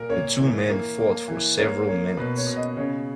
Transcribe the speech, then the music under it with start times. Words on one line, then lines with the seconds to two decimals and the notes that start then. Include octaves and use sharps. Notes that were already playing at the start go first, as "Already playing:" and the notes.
The two men fought for several minutes.
Already playing: A#2 A#4
0.09 A#3 C#5
0.39 E3
0.69 A#3
0.99 A#3
1.28 E3
1.58 A#3 C#5
1.87 A#3 C#5
2.17 B2 B4
2.37 C#5
2.47 B2
2.56 D#5
2.77 C#3 C#5